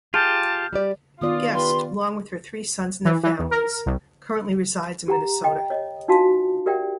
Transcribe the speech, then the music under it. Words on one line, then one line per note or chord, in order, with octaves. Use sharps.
Guest, along with her three sons and their families, currently resides in Minnesota.
F4 G4 G#4 A5 F6 G6
G3 G4 D5
D#3 B3 F4 D5 D#6
G4 B4 C6
E3
E3
E2
A#4
C2
G4 F#5 A#5
D#5 G5
C#5 D#5
D4 D#4 F4 F#4 F5 A5
G4 A#4 D5 E5 F#5 G5